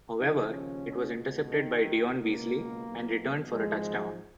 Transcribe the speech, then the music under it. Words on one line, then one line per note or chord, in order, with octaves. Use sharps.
However, it was intercepted by Deon Beasley and returned for a touchdown.
D#2 C#3 F3 D#4
C#4
C#2 B2
D#2 D#3 D#4
C#2 B2 A#3
B1 B2
G#1 G#2 F3 G#3